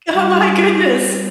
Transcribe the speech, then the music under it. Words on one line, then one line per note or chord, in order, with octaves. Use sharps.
oh my goodness.
G3